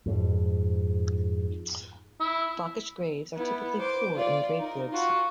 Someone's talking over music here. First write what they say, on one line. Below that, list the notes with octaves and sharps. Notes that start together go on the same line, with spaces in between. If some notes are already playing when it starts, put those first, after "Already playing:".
Vakhsh graves are typically poor in grave goods.
F2 G#2
E4
B3 E4
C5 D6
F4 D5
D#4 A#4
F4 F#4